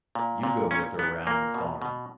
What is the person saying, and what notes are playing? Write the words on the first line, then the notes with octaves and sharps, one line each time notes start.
You go with her round the farm.
A#2
A#2
A#2 C#4
A#2 B3
A#2 A#3
B2
B2